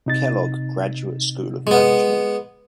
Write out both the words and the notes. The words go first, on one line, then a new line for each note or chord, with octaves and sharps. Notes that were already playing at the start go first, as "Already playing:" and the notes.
Kellogg Graduate School of Management.
C3 D#4 A6
G#3 B3